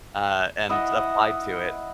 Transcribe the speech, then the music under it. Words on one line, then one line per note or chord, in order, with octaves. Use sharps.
uh, and applied to it.
E4 D#5 F#5